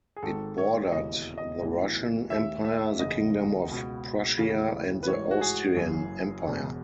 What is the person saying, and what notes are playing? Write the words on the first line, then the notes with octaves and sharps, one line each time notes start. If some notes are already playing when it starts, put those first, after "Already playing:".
It bordered the Russian Empire, the Kingdom of Prussia and the Austrian Empire.
G#4
G#1 G#2 D#3 A4
C#5
E1 D#2 C#3 E3 D#5
D#5
B1 A2 E3
D#2 D#3 E5
E5
F#1 E2 C#3 D#5
C#2 B2
D#2 C#3 E3
B4
A1 G#2 E3 C#5
F#4
G#4
F#1 F#2 E3
E1 E2 B2